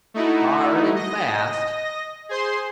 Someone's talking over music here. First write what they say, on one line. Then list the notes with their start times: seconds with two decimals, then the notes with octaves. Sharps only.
"Hard and fast."
0.14 A3 D#4 E4 F#4
0.95 D#5 A#6
2.29 G#4 C5 C6